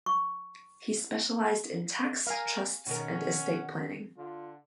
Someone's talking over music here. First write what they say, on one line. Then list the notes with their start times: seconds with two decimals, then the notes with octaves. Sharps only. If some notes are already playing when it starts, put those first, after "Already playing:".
He specialised in tax, trusts, and estate planning.
0.06 C#6
2.27 A#4 F5 G#5
2.86 B2 D#3 C#4 A#4 F#5
4.18 D3 F4